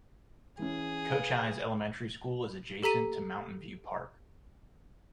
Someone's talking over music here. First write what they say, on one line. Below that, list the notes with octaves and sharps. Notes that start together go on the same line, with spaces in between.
Cochise Elementary School is adjacent to Mountain View Park.
E3 C#4 G#4
B4 F5
G4 A4 A#5 B6 D#7